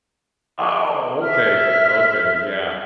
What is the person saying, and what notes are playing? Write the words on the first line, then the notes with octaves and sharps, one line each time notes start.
Oh, okay, okay, yeah.
E5 F6